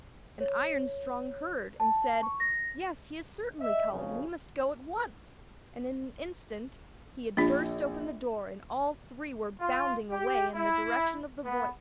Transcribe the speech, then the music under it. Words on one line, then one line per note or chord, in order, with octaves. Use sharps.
And Iron-strong heard, and said: 'Yes, he is certainly calling, we must go at once.' And in an instant he had burst open the door, and all three were bounding away in the direction of the voice.
C#5
A5
C#6
A#6
D#5 E5
B1 F2 C#3
A#1 D4 F4
F4
G4
E4
B3